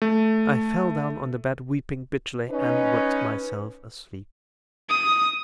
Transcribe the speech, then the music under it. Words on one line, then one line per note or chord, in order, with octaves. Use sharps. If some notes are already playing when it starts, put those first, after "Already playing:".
I fell down on the bed weeping bitterly, and wept myself asleep.
A3
C#4 D#4 B4
D#6